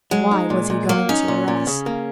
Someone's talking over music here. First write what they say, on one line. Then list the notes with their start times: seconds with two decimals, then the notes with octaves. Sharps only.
Why was he going to Arras?
0.11 F#3 G#3
0.31 D#4
0.50 A#2
0.70 A#2
0.89 F#3 A#3
1.09 C#4 D#4
1.28 A#2
1.48 A#2
1.67 C#3
1.86 A#3